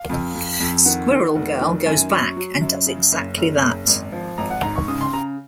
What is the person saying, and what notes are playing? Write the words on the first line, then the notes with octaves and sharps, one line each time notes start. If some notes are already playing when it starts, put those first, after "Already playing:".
Squirrel Girl goes back and does exactly that.
Already playing: F5
F2
F2
F2
D#3 F#5
D#3
F1
D#3
F#2 G#5
F#3 C#6
F#3
F#2
C#3
F#1
F#1
F#1
G#1
F3
G#1 A#5
F#5
G#2 A#5
C#6
C#3 D#6
C6
C#3 A#5